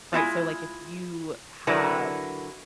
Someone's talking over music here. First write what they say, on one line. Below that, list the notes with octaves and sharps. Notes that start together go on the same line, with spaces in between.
Right, so, like, if you have
G#3 C4 E4 F4
D3 F#3 E4 A#4 B4